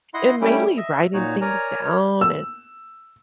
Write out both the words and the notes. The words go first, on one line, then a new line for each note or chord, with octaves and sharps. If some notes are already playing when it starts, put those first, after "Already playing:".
and mainly writing things down, and
E4 D#5 F#5 C6
G3 A3 C#4 E4 G4
D#5 E5
A#2 D#4 F#4 C#5
A#4 C#5 D5 G#5 A#5
A#4 C#5
E6